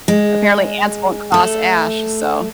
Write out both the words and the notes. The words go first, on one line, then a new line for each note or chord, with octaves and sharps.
apparently ants won't cross ash so
G#3
A3 A4